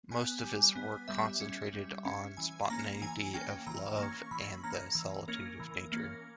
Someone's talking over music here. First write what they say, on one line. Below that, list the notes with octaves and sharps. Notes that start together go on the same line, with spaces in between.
Most of his work concentrated on spontaneity of love and the solitude of nature.
B3 G#5
G3
B3
G3 E5
C#4
G3
C#4
E3 G#5
B5
A#3 C#4 A#5
E3 G#5
A#3 C#4 G5
E3 A#5
A#3 C#4 C#6
E3 B5
A#3 C#4 A#5
E3
A#3 C#4 A#4
E3
A#3 C#4